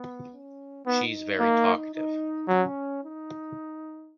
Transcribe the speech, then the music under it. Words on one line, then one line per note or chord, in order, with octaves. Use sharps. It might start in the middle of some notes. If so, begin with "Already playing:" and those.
She’s very talkative.
Already playing: B3
C#4
B3 D#4
A#3
D#4
F#3 C#4
D#4